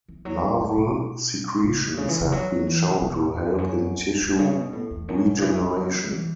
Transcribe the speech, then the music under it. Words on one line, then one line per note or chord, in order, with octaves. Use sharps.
Larval secretions have been shown to help in tissue regeneration.
E3
F#3
F#2
F#2
B2
C#3
B2
C#3
E3
C#3
F#3
E3
C#3
B2
A2
F#2
E2
F#2
E2
F#2
A2
C#3
B2
A2
E2
F#2
B2
C#3
E3
E3
B2
F#3
E3